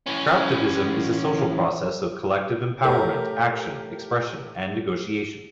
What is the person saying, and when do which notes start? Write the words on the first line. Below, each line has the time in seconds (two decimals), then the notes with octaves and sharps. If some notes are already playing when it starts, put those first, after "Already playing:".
Craftivism is a social process of collective empowerment, action, expression and negotiation.
0.07 E3 C#4
2.84 A2 G4 A#4